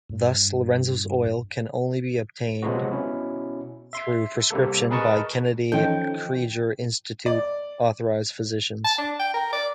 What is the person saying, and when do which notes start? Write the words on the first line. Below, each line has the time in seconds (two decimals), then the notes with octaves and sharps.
Thus, Lorenzo's oil can be obtained only through prescription by Kennedy Krieger Institute-authorized physicians.
0.09 G2
2.62 C3 F3 F#3 G#3 B3 F#4
2.91 B2 C#4 E4
3.93 E5 C6
4.51 C3 G3 A#3 A4
4.91 G#4 A#4 B4 D#5 A5 C#6
5.72 D#3 F3 C#4 D#4 A4 G5 G6
7.26 D5
8.84 A5
8.98 D4
9.19 G5
9.34 A#4
9.53 D5